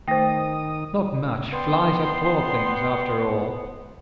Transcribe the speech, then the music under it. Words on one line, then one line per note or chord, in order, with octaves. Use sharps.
"Not much! flies are poor things, after all!"
D#3 A3 C5 G5 D#6 A#6
B3 D5 G5 C6